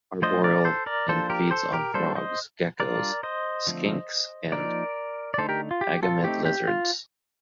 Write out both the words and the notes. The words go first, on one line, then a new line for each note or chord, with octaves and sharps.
Arboreal and feeds on frogs, geckos, skinks and agamid lizards.
F3 A3 D4 F4 C5 D#5
A#4 D5
A4 C5
A#4 D5
F3 A#3 D4 A4 C5
G4 A#4
A4 C5
G4 A#4
G3 A#3 D4 A4 C5
C5 D#5
G3 D4 F4 A#4 D5
C5 D#5
D3 F3 A3 C4
F3 A#3 D#4 A#4 D5
D5
D3 A3 D#4 A4 C5
G4 A#4
F4
G4
F4 A4
A3 C4 D#4 G4
G4
F4